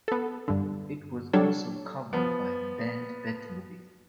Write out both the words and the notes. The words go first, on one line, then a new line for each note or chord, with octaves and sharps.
It was also covered by the band Batmobile.
B3 A4
G2 D3
F#3 G3 D4 A4 C#5
F3 B3